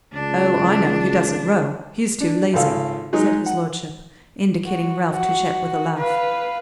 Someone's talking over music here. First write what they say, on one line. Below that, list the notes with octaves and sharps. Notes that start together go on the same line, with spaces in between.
"Oh, I know he doesn't row; he's too lazy," said his lordship, indicating Ralph Touchett with a laugh.
C#2 D4
D4
G#1 C#2 A4 F5
F#3 G#3 D#4
F#5
F#4
F#4
B4 F5